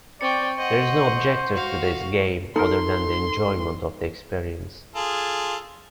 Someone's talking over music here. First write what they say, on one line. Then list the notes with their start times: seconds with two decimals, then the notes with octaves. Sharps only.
There is no objective to this game other than the enjoyment of the experience.
0.21 C4 D5 G5 C#6 C#7
0.58 C5 D#5 F#5
1.54 F#4 F5
2.56 D#4 A4 A#4 C6
4.96 F4 G#4 A4